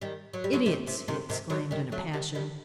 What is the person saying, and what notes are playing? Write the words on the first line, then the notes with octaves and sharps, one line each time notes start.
'Idiots!' he exclaimed, in a passion.
D#3 G3
F#3
G3
D3 F#3
C3 D#3
C3
C3 D#3
C3 D#3
D3 F#3
D#3 G3
F#3 A3
D#3 G3
D#3 G3